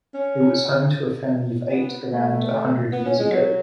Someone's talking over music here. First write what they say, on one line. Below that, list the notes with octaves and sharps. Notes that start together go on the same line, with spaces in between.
It was home to a family of eight around a hundred years ago.
C#4
B3
A3
B3
C#4
G#3
F#3